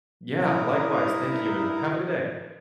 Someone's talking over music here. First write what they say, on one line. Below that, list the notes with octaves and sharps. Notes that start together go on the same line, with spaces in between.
Yeah, likewise, thank you and have a good day.
G2 D#4 E4 A#4 A#5 D#6